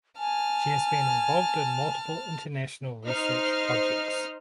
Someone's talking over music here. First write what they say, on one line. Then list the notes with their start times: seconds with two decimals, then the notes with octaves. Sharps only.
She has been involved in multiple international research projects.
0.19 G#5 A5 F6
3.07 D#4 C5 F6 C7